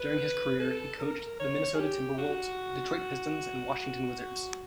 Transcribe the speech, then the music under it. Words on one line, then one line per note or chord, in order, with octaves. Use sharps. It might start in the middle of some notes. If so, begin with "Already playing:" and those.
During his career, he coached the Minnesota Timberwolves, Detroit Pistons, and Washington Wizards.
Already playing: B4
A4
A#4
C#5
G#4
G4
F#4